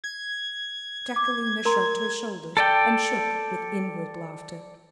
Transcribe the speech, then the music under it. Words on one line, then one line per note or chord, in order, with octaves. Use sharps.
Jacquelina shrugged her shoulders, and shook with inward laughter.
G#6
D6
A#4 A#5 C6
A4 D5 G5